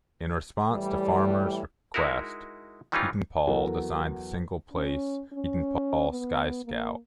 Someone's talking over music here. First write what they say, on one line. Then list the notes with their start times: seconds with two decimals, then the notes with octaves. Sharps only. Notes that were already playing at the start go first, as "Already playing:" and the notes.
In response to Farmer's request, Pietenpol designed the single-place Pietenpol Sky Scout.
0.72 A2 E3 G3
1.94 G#3 D#4 E4 F#4 A#4
2.92 D#3 E3 G3 C#4 D#4 F4
3.47 E2 F#3 F#4 A4 A#4
4.73 C#4
5.32 C#4
6.09 B3
6.65 A#3